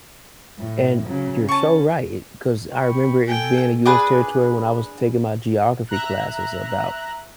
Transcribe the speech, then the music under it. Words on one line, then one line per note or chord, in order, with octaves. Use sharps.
and you're so right it 'cause I remember it being a US territory when I was taking my geography classes about
A2
C#3 F#3
C#4 A5 C#6
G5 B5 C#6
A4 G5 G#5
D4 G#4 B4
E5 A#5 F#6